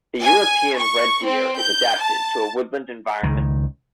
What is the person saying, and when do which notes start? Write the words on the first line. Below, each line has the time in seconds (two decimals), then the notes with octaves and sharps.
The European red deer is adapted to a woodland environment.
0.22 G#5
0.79 C#6
1.25 C4
1.59 G6
2.00 A5
3.23 C#2 D#3